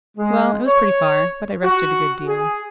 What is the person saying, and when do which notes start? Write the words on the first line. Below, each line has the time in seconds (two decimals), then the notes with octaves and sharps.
"Well, it was pretty far, but I rested a good deal."
0.17 G#3
0.67 C#5
1.64 F#4
2.27 G#4